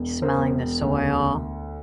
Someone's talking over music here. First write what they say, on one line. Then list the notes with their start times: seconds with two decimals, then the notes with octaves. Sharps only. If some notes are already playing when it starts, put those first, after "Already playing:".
smelling the soil,
Already playing: E1
0.22 A#4 C5
0.37 E1
0.81 D2